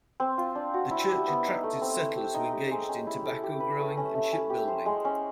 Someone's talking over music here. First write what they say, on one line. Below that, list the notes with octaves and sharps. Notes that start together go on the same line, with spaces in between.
The church attracted settlers who engaged in tobacco growing and ship building.
C4
F4
D4
F#4
E4
G4
B3
D#4
A3
C4
E4
G4
D#4
G4
G#3
C#4
E4
A4
G4
B4
A3
C#4
A3
C#4
G4
C5
G#3
C#4